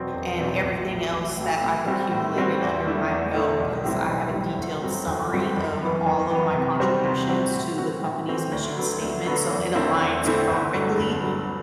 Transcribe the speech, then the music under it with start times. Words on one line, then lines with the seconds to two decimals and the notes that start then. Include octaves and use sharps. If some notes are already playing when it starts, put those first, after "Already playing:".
and everything else that I've accumulated under my belt, 'cause I have a detailed summary of all of my contributions to the company's mission statement, so it aligns perfectly,
Already playing: E2 B2 F#3 C4
0.13 E1
0.38 E2 B2 F#3 C4
0.63 A1
0.88 A2 F#3
1.12 A1
1.37 A2 F#3
1.61 A2
1.86 G3 C4 F#4
2.11 A2
2.36 G3 C4 F#4
2.60 E2
2.86 D3 A3 E4
3.09 E2
3.34 D3 A3 E4
3.60 B1
3.83 A2 G3 C4 E4
4.08 B1
4.33 A2 G3 C4 E4
4.58 G1
4.82 G2 F#3 C4
5.07 G1
5.32 G2 F#3 C4
5.57 F#2
5.81 E3 B3
6.06 F#2
6.30 E3 B3
6.55 C3
6.80 G3 C4 F#4 C5
7.04 C3
7.29 G3 C4 F#4 C5
7.53 A2
7.78 E3 A3 C4 F#4
8.03 A2
8.27 E3 A3 C4 F#4
8.52 D2
8.77 D3 F#3 B3 F#4
9.01 D2
9.26 D3 F#3 B3 F#4
9.50 E2
9.76 D3 A3 C4 E4
10.00 E2
10.25 D3 A3 C4 E4
10.49 G1
10.74 G2 D3 F#3
10.99 G1
11.23 G2 D3 F#3